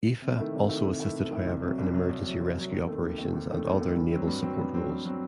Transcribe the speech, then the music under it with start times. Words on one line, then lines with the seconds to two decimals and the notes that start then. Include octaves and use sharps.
"Aoife" also assisted however in emergency rescue operations and other naval support roles.
0.22 C3
0.38 D#3 A3 E4
0.53 C3
0.69 D#3 A3 E4
0.84 C3
1.00 D#3 A3 E4
1.15 C3
1.31 D#3 A3 E4
1.47 C2
1.62 C3 F#3
1.78 C2
1.93 C3 F#3
2.09 C2
2.25 C3 F#3
2.40 C2
2.56 C3 F#3
2.71 D#2
2.87 D#3 A3 C4
3.03 D#2
3.18 D#3 A3 C4
3.34 D#2
3.49 D#3 A3 C4
3.65 D#2
3.81 D#3 A3 C4
3.97 G2
4.12 F#3 C4
4.27 G2
4.43 F#3 C4
4.58 G2
4.74 F#3 C4
4.89 G2
5.06 F#3 C4